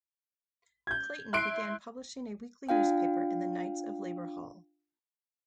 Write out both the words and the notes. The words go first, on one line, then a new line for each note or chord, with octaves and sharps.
Clayton began publishing a weekly newspaper in the Knights of Labor Hall.
G6 G#6
E4 C6 F#6 C7 D7
D4 F4 F5 G5